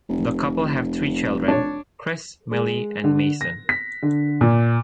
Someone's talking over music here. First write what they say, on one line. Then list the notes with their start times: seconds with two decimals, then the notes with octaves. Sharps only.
The couple have three children; Chris, Millie and Mason.
0.09 F1
1.48 D4 C#5
2.52 G#3
3.04 D3
3.41 A#6
3.69 B6
4.03 D3
4.41 A#2